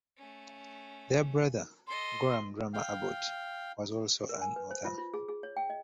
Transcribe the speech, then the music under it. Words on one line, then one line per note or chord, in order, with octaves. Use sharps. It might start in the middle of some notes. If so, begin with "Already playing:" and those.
Their brother, Gorham Dummer Abbott, was also an author.
A3 C#4
A4 D#5 C6
F5 G5
A#4
G#5
B4
C5
F4
F4
G#4
G#4
C#5
G5
D#5